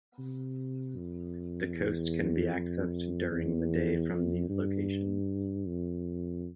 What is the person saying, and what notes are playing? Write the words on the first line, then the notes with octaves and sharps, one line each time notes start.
The coast can be accessed during the day from these locations.
C3
F2
E2
F2
E2
F2
G2
F2